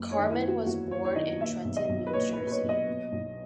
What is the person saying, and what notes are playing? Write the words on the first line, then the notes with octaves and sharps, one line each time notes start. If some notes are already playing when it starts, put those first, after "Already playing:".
Carman was born in Trenton, New Jersey.
Already playing: F#1
C#5
D#3
E4
F#1
F#4
E2 F#4
F#1 C#5
C#5
D#3 D#5
A#2 E5
B1
D#5
B1
B4
A#2 C#5
B4
A#2
B4
C#5
B1
D#5
B2
B1